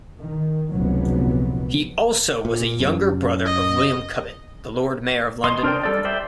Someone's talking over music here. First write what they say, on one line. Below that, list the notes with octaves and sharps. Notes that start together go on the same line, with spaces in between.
He also was a younger brother of William Cubitt, the Lord Mayor of London.
D#3
F1 C#2 A#2 F#3 B3
A#2
F#2
D#5
D#5 C6
D4 A#4 C5 D5 G5
G3 A4 D5
C5 D5 E5 G5